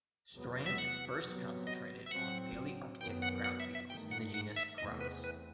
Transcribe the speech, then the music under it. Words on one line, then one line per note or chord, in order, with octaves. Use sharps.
Strand first concentrated on Palearctic ground beetles in the genus "Carabus".
E2 C3 F#3 B3
E5
F#5
C3 F#3 B3
D#5
E5
A2 F#3 C4 F#5
F#2 D#3 F#3 B3 G5
F#5
F#5
E5
E5
G2 D#3 A3 G5
F#5
F#5
E5
E2 C3 E3 A3 C4 D#5
B4
B4